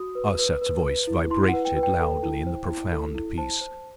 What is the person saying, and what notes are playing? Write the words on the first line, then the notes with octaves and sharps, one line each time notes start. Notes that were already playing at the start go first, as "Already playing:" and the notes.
Arsat's voice vibrated loudly in the profound peace.
Already playing: F#4 D#6
B4
B4
B4
B4
E4
E4 C6
F#5
B4
G5
B4
G5
A4
E4
C5
E4
A4
E4
C5 A5
C5